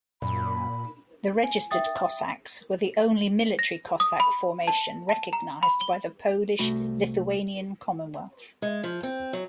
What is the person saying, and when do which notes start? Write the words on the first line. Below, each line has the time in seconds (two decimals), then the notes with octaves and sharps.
The registered Cossacks were the only military Cossack formation recognized by the Polish-Lithuanian Commonwealth.
0.22 F#2 A#2 B5
1.43 G#5
1.71 E5 G5 D#6 A6
3.59 A#6
4.00 D#6
4.20 B5
4.67 A5
5.09 A5
5.33 A#5
5.63 B5
5.81 G7
6.59 C2 A3 F#4 B5
8.62 G#3
8.84 F3
9.03 C4
9.33 F#3